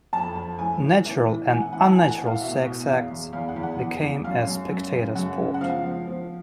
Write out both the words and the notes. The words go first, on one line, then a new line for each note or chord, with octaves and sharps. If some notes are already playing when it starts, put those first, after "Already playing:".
Natural and unnatural sex acts became a spectator sport.
F2 A5
F2
A2 G#5
A2
E3
E3
E3 G#5
F#5
E3 F#5
A5
A2 G#5
F#5
A2
F5
B2 E5
B2
E2 F5
E2
E2 F5
F#5
E2
F#5
E2
E2
F#2 F5
F#2
F#2
C#3
F#2 F#5
C#3
F#5
F3 F5
F3
F3